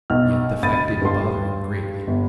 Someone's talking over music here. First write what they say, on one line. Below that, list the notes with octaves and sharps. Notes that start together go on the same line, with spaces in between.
Yet the fact didn't bother him greatly.
B1 F6
D2 D#5 B5 A6 D#7
G2 A4 B4 C6
G1